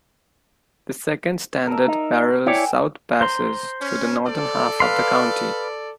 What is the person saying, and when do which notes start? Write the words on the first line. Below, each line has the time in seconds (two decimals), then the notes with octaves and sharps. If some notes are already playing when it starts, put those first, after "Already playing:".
The second standard parallel south passes through the northern half of the county.
1.67 A#4 E5
1.88 D#4
2.46 E4 C#5 D5 E5 G5 G#5
3.21 C5 A#5 C6
3.81 C#4
4.27 A4 D5
4.80 B4 F5 C6